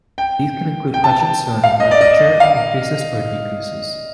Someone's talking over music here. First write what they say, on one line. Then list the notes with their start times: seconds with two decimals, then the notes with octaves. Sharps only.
These can include questions surrounding market share increases or decreases.
0.18 G5
0.94 G5
1.04 A5
1.64 F5
1.80 D#5
1.91 D5
2.01 D#5
2.40 F5